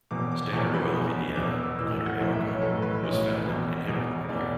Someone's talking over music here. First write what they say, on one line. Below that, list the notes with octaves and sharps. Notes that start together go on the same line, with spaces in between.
Standard Oil of Indiana, later Amoco, was founded and headquartered here.
E1 E2 B2 D6
D6
E1 E2 B2 C#6
B5
C#6
E1 E2 B2
E1 E2 B2 D6
E6
E6
B1 A2 E3 E6
E6
F#5
B1 A2 E3 E5
E5
C#5
B1 A2 E3 A4
A4
B4
B1 A2 E3 C#5
E1 E2 B2
E1 E2 B2
E1 E2 B2 D5